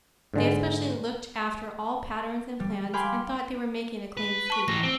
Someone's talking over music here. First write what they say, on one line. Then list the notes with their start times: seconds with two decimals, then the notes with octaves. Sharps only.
They especially looked after all patterns and plans and thought they were making a clean sweep.
0.34 G#2 D3 G#3
2.60 G3
2.93 F5 G5 G#5 B5 C6 D6
4.17 B4
4.50 A5 C#6
4.68 E3 A3 A#6
4.83 C4